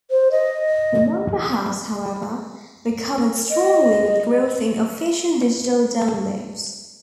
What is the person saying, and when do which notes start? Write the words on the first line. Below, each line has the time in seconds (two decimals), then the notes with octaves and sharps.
The number has, however, recovered strongly with growth in official digital downloads.
0.11 C5
0.32 D#5
3.51 D#5